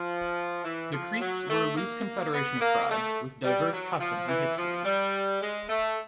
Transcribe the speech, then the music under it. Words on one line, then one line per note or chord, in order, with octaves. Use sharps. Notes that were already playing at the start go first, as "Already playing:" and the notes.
The Creeks were a loose confederation of tribes with diverse customs and histories.
Already playing: F3
E3
F3
F#3
A3
A#3
B3
A#3
A3
G3
F#3
F3
E3
F3
G3
G#3
A3